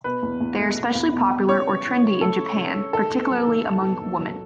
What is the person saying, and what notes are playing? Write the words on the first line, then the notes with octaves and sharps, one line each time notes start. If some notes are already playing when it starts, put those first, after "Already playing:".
They are especially popular or trendy in Japan, particularly among women.
B2 B4
E2
E2
A3
B2
E2
B2
B2
C#3 C#5
C#3
E3
A3
A3 A4
C#3
C#3
C#3
D#3 A4
D#2
F#3
D#3
D#2
B3
D#2
F#3